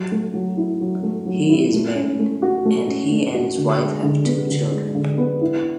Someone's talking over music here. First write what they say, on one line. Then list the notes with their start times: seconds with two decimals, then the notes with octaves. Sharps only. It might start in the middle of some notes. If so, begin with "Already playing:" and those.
He is married and he and his wife have two children.
Already playing: F#3
0.12 A3
0.34 F#3
0.57 E4
0.81 F#3
1.03 A3
1.26 F#3
1.49 E4
1.73 A3
1.95 C#4
2.19 A3
2.42 F#4
2.65 A3
2.87 C#4
3.11 A3
3.34 F#4
3.57 D3
3.80 G#3
4.03 D3
4.26 B3
4.50 D3
4.72 G#3
4.95 D3
5.18 B3
5.41 E4